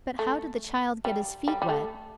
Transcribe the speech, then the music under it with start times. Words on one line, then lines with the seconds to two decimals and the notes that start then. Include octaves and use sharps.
"But how did the child get his feet wet?"
0.19 A3
1.05 G3
1.48 G3
1.62 G3
1.69 A3